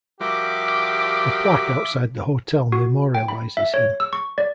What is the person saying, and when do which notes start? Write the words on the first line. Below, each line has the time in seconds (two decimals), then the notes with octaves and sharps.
A plaque outside the hotel memorializes him.
0.21 F3 G3 F#4 G4 A#4 E5 D6
2.72 F#4
3.15 G5
3.28 B5
3.57 E5
3.74 C#5
4.00 E6
4.13 C#6
4.38 D5